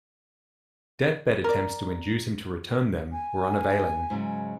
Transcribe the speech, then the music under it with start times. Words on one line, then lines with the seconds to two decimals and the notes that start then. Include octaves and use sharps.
Deathbed attempts to induce him to return them were unavailing.
1.44 A#4 D5
3.11 G#5
4.10 G#2 C#3 F#3